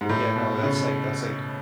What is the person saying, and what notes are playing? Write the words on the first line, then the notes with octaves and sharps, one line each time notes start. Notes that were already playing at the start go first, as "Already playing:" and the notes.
Yeah, no, that's, like that's, like,
G#2
A2
B2
C#3